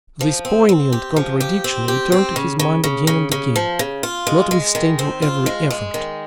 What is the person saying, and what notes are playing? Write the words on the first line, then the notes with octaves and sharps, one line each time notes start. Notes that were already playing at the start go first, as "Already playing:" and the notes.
This poignant contradiction returned to his mind again and again, notwithstanding every effort.
F3
C4
C4
G4
F3
G4
C4
G4
C4
C#3
C#3
C#3
C#3
C#3
F3
C#3
F4
G#3
G#3
D#3
C4
F4
G#3
G#3
D#3